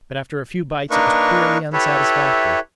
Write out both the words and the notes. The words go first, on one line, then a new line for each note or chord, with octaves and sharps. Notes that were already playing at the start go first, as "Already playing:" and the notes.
But after a few bites, it was queerly unsatisfactory.
A#3 D4 D#4 A#4 B4 C#6
E4 G4 A4 B4 C#5 E5